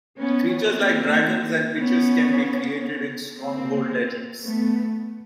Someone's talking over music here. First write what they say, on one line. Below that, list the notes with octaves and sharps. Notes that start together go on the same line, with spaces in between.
Creatures like dragons and witches can be created in Stronghold Legends.
B3 C#4
A#3 C4
B3 C#4
A#3 C4
A3 B3